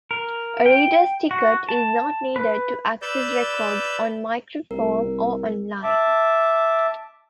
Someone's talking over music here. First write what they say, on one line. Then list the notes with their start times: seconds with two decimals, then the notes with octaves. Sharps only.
A reader's ticket is not needed to access records on microform or online.
0.11 A#4
0.66 G5
1.31 F#4
1.69 A5
2.36 B4
3.02 B4 D5 E6 G6
4.71 C2 A#4
5.83 E5 A5 D6